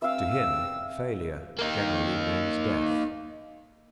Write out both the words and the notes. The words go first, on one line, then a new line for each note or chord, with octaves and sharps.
To him failure generally means death.
G2 C4 E5 F5 E6
A#3 D#4